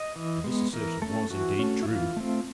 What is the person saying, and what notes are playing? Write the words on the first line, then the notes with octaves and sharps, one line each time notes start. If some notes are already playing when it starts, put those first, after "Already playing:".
And this assertion was indeed true.
Already playing: D#5
E3
G#3 B3
E3 A#4
A3 C#4 A4
E3 F#4
A3 C#4
E4
E3 F4
A3 C4